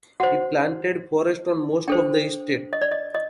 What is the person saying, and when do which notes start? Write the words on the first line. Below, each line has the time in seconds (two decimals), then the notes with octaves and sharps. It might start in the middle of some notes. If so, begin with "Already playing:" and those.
He planted forest on most of the estate.
0.20 F#4 C5 F#5
1.88 D4 A4 C5 G5
2.73 D#5
2.81 D5
2.92 D#5
3.15 D#5